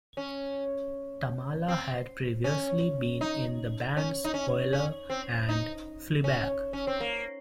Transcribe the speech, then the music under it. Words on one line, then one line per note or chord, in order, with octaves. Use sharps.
Tamala had previously been in the bands Oiler and Fleabag.
C#4
C4
C#4
D#4
C#4
D#4
C#4
C#4
C4
D#4
C#4
C#4
C4
A#3